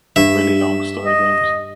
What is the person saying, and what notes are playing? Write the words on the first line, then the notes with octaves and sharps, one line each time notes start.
Like, really long story games.
G2 E5
D#5